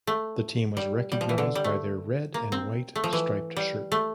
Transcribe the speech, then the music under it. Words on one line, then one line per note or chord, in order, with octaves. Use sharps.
The team was recognised by their red and white striped shirt.
A3
G3
G3
F3
E3
D3
G3
A3
A#3
C4
A3
F3
E3
G3
A3